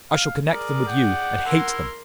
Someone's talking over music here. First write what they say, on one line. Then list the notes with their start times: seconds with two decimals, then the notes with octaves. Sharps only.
'I shall connect them with you, and hate them.'
0.11 F5
0.51 G#4 A#4 D5
0.88 F#5 G5
1.46 E4 A#4 C6